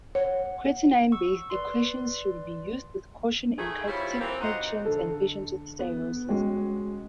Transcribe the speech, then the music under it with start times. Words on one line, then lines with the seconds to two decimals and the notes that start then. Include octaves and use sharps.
Creatinine-based equations should be used with caution in cachectic patients and patients with cirrhosis.
0.15 C#5 F#5
1.12 C#6 E6
1.50 B4 D5 C6
3.57 D#3 E3 A3 G#4
3.87 G3 C4 E4 F4 C#5
4.20 E3 A#3 C4
4.41 D#4 F4 F#4 D#5 F#5
4.85 D3 A4
5.79 B3
6.28 G#3 C#4 F#4 C#5 G5